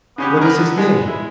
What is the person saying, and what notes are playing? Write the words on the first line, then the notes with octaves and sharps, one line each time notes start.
"What is his name?"
C#3 B3 C#4 G4
A#4 B4
D3
G#3
E4